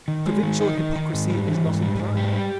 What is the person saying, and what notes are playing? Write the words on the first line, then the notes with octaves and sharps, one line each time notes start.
Provincial hypocrisy is not implied.
D#3
G#3
D#3
D#4
D#3
D#3
G#2
G3
E3
G#2
G3
G#2
G4
G3